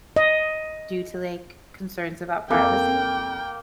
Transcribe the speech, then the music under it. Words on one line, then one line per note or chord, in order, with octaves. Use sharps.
due to, like, concerns about privacy?
D#5
F2 A#3 A4 G5 D6